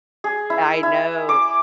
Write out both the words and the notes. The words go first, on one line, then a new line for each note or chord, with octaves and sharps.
I know,
G#4
E4
E4
D6